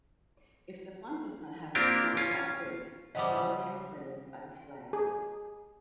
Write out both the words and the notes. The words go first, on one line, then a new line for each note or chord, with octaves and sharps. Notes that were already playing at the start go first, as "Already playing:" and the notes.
If the font does not have small-cap glyphs, lowercase letters are displayed.
A#3 C4 D4 F4 G4 A#4
C#4 F4
C#3 F3 G3 D#5 E5 F#5 D6 D#6
G#4